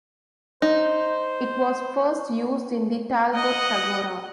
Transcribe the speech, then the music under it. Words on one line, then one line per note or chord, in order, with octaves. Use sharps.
It was first used in the Talbot Tagora.
D#4 C5
D#5 F#5 D#6